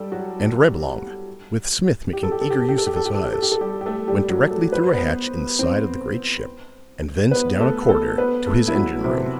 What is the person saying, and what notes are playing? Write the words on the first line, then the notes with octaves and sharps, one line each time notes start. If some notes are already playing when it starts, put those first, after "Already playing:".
And Reblong, with Smith making eager use of his eyes, went directly through a hatch in the side of the great ship, and thence down a corridor to his engine-room.
Already playing: G3 G4 A4
F#3 F#4
G4
A4
G4
A4
G4
A4
G4
A4
G4
A4
G4
A4
G4
A4
G4
A4
G3 G4
G4
A3 A4
G3 G4
F#3 F#4
A3 A4
B4
C5
B3 B4
C4 C5
B3 B4
A3 A4
A3 A4
B3 B4
A3 A4
E4
F#3 F#4
C3 C4